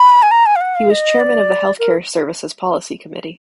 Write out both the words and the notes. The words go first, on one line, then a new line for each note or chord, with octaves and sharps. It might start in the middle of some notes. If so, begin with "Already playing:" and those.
He was chairman of the Health Care Services Policy Committee.
Already playing: B5
G#5
A#5
G#5
F5
F#5
F5
D#5
D5
A#4